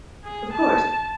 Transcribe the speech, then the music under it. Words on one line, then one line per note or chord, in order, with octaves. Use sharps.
Of course.
G#4
A5